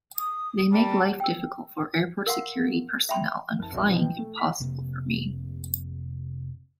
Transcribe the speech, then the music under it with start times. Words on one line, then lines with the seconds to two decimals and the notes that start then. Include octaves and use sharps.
They make life difficult for airport security personnel and flying impossible for me.
0.16 D#6
0.72 G3 A5
1.20 G5 E6
2.26 A#4 F5 F#5 C6
3.09 E5 G5 B5 C6
3.59 F#1 A5
3.71 A#1 E2
3.88 B2 E3 F3
4.01 G5
4.18 A3
4.38 D#5 F#5 B6
4.60 F1 C3 A#3